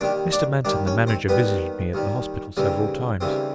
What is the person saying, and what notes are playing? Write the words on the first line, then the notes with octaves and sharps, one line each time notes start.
Mr. Manton, the manager, visited me at the hospital several times.
D#2 D#3 G3 D4 D5
D4 D5
D#2 D#3 G3 D4 D5
C#4 C#5
C4 C5
D#2 D#3 G3 B3 B4
D#2 D#3 G3
D#2 C#3 E3 G3 C4
D#2 C#3 E3 G3 C4